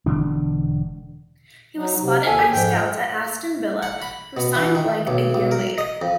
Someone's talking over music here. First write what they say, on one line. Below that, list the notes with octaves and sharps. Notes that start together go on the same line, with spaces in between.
He was spotted by scouts at Aston Villa who signed Blake a year later.
E1 D3 D4
F#3 D#4
C3
D#2 A4 G#5
F2 G#2 G5
F#5
B5
B2
E3
D#3
B1
B1
A#4
D#5
F2